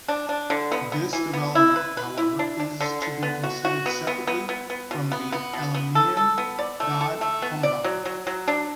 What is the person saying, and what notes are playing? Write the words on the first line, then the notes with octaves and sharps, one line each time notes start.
This development, however, is to be considered separately from the Elamian god Humban.
D4
D4
D3
B3
B3
E3
B3
E4
B4
B4
E4
D4
D4
D3
D3
B3
F#4
F#4
B3
B3
B3
B3
B3
B2
B3
B3
B2
B3
A4
A4
B3
D5
A3
A4
A3
B3
D5
F#3
F#3
F#3
D4